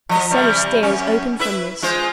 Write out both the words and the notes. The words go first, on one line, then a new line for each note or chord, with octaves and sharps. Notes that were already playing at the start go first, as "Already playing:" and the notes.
The cellar stairs opened from this.
F3 D#5
C3 E3 G3
F#2 C#4
E4 B4 E5
G#3 F4 C5